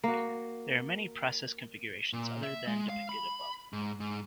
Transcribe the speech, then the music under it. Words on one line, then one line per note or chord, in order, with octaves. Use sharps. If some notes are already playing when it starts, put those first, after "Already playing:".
There are many process configurations other than that depicted above.
A#3 F#4
A#2
E5
G#3
F5
B5
G#2
G#2